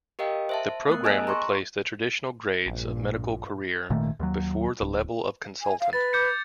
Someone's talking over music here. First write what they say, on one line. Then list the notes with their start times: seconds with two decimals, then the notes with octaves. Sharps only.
The programme replaced the traditional grades of medical career before the level of Consultant.
0.19 G4 A#4 D#5 F5 G5
0.49 C5 E5 A5
0.88 A3 B3 A#4 F#6
1.04 G#4 D#5 G#5 A5 E6 F#6
1.27 A#5 C6 C#6
2.66 A#1 G2 A#2
3.90 G#1 A#2 D#3 A3
4.19 D#2 F#3
4.81 D1
5.62 G#5
5.80 F5
5.93 B4 A6
6.13 D6 G6 C#7